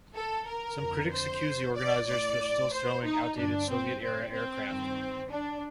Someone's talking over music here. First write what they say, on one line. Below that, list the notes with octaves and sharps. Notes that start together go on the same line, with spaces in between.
Some critics accused the organizers for still showing outdated Soviet-era aircraft.
A4
A#4
F2 D3
C5
D5
A2 D5
C5
D#4
G2 D3 D4
C4
C4
C4
G2 D#3
D4